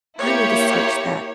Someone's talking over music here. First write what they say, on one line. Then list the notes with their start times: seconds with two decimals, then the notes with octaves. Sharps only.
I need to search that.
0.20 A#3 E4 G4 C#5